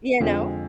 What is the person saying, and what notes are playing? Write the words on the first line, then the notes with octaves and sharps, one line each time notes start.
You know?
F2 D3 F3 G#3